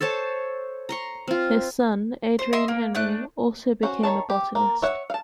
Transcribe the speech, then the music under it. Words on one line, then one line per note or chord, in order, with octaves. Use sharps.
His son Adrien-Henri also became a botanist.
A4 C5 C#5 A5
A#5 C6 C#6
C4 F4
C5
D#5 E5 C6
A#3
A3 D4 F#6
C#4 F#4 C5
D#3 C#5 A5
G4
A#3
C#5 E5 F#5
F5 A5